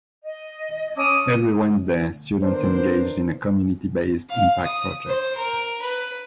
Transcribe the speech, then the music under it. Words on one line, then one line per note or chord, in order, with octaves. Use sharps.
Every Wednesday, students engage in a 'community based' impact project.
D#5
C#4 A5 D6 D#6
B3 D4 A#4 C5
F5
D#6
C5
A#4
B4